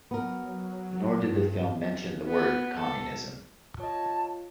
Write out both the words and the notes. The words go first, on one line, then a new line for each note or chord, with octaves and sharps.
Nor did the film mention the word Communism.
F#3 B3 A#4
G2
B3
A4
F4 C#5 D#5 A5